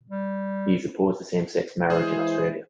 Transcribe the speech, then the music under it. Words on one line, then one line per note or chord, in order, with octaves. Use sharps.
He is opposed to same-sex marriage in Australia.
G3
E3 G#3 E4 G#4 C5